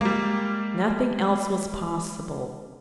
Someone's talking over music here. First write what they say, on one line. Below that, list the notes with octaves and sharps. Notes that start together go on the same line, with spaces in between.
Nothing else was possible.
G3 G#3 A#3